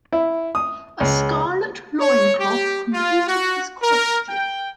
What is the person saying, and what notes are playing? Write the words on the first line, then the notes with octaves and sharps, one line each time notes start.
A scarlet loincloth completed his costume.
E4
D#6
C#2
C#5
G4
F4
F#4
A#4
G5